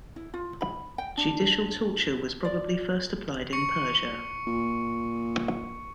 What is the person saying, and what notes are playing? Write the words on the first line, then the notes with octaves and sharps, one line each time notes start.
Judicial torture was probably first applied in Persia.
E4
F4
B5
G5
D4
D5
C#6 C#7
A#2